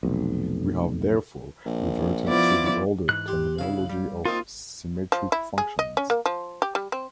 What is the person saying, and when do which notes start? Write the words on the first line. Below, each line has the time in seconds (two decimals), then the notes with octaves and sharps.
We have therefore reverted to the older terminology of symmetric functions.
0.03 F1 B1
1.66 A#1
2.26 F3 B3 E4 D5
3.09 G#2 E3 F#6
3.28 G4 C6
3.59 C2 C#3 E4 F5
3.89 G3
4.25 A#3 C4 D#4 F4 F5
5.12 F3
5.32 E4
5.58 G#4
5.79 D#5
5.97 C#4
6.10 A#3
6.26 F3
6.62 G4
6.75 G3
6.92 C4